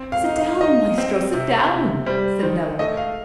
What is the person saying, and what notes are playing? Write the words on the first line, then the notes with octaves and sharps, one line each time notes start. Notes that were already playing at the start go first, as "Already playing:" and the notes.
"Sit down, Maestro, sit down," said Nello.
Already playing: C4
F5
D#4
F5
D#4 D#5
C4
C3
C3
G3 C5
D#3 C5
A3 D#5
F5